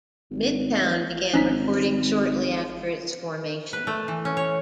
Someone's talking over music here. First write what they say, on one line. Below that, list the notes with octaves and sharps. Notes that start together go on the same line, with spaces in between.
Midtown began recording shortly after its formation.
G#1
G#1 C#4 D#4 B6
B4
A3
E3
C#4
C#5